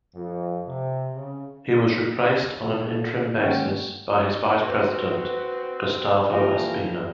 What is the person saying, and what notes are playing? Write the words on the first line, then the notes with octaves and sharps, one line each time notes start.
He was replaced on an interim basis by his vice president, Gustavo Espina.
F2
C3
C#3
A#2 A4
D#3 G#3 A#3 C#4 F#5 G5
C4 F#4 B4
E3 F3 G3 A3 A#3 A#4